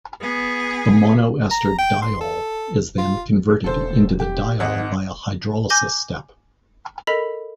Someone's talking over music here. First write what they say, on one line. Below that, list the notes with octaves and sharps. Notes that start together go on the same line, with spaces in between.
The mono-ester diol is then converted into the diol by a hydrolysis step.
B3 G#4
A#5
G5
C6
A4
F4
E1 A4 C5 A5
G4
G#1 G#2 D#5 F#5
G#5 D6 G6 A#6 G7
A4 A#4 D#5 B5 B6 F7